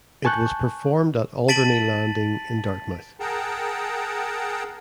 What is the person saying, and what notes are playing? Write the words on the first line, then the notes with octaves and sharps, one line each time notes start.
It was performed at Alderney Landing in Dartmouth.
G#5 A5 C#6 F#6 G6
A5 A6 B6 D7 D#7 F#7
G#4 A#4 F#5 G5 A5 A#5